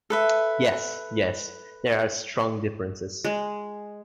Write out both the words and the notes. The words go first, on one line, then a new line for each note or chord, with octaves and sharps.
Yes, yes, there are strong differences.
A4 B4 E5
G#3